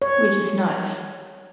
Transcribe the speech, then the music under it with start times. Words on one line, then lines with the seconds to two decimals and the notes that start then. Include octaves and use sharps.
Which is nice.
0.02 C#5